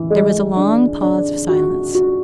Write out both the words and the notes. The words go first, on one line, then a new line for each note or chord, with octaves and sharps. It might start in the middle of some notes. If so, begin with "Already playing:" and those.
There was a long pause of silence.
Already playing: E3
G#3
D4
D4
F#4
F#4